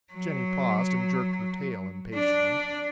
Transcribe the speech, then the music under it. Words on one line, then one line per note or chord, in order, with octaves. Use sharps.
Jenny paused and jerked her tail impatiently.
F#3
D4